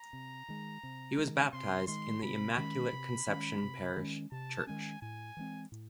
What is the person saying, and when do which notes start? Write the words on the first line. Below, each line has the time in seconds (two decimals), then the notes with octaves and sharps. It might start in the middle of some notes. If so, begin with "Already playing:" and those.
He was baptized in the Immaculate Conception parish church.
Already playing: A#5
0.13 C3
0.48 D#3 G#3
0.83 C3
1.18 D#3 G#3
1.53 C3 C6
1.87 D#3 G#3 C6
2.22 C3 B5
2.57 D#3 G#3 C#4
2.93 C3
3.28 D#3 G#3 C#4
3.63 C3
3.97 D#3 G#3 C#4
4.32 C3 A5
4.67 D#3 G#3 C#4 G#5
5.02 A2 G#5
5.37 E3 G#3 C4
5.72 A2